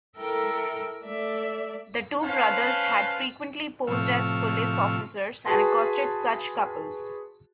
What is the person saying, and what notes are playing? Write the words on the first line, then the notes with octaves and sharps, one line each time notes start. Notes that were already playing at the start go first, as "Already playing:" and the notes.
The two brothers had frequently posed as police officers and accosted such couples.
E4 A4 A#4 E5 G5 A#5
A3 A4 D5 E5
C#4 B4 C5 F5 A5
A2 C3 F3 C#6 E6 F6
F#4 G#4 B4 A5 C6